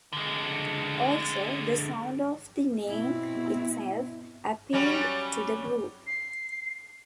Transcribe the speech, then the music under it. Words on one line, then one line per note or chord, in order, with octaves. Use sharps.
Also, the sound of the name itself appealed to the group.
D3 G#3
B2 C4 E4
F#3 G3 C#4
C7